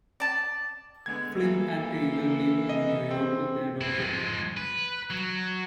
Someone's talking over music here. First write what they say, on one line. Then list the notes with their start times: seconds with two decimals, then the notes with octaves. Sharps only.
Flynn and Taylor live in New York with their daughter.
0.20 D5 A5
1.06 D3 G#3 B3 G#6
1.39 E3 A#3 A4
2.69 D#5
3.11 C4
3.81 C4 E4
3.98 F3 G#3
4.57 B4
5.10 F#3